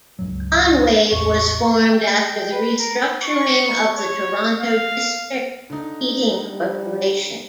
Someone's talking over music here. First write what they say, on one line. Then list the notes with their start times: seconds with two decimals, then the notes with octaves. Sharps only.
Enwave was formed after the restructuring of the Toronto District Heating Corporation.
0.19 C#2 G2 F#3
1.12 A1 E2 C#6
1.93 G5
2.52 B4
2.79 A#4
3.23 C#6
3.98 C#5
4.61 F5
5.70 D3 D#4
6.45 G3